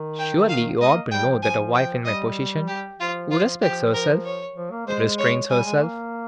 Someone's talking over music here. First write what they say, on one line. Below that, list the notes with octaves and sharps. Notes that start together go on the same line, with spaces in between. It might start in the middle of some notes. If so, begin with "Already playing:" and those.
Surely you ought to know that a wife in my position, who respects herself, restrains herself.
Already playing: D#3
G5
F5
G#3 D#5
A#3
G3 G5
F3
F3 G#5
G5
G3 D#5
G4
F3 F4
F4
F3 G4
A#4
C#5
F3
A#3
G#3 C5
C#5
G3 G#5
G#3
A#3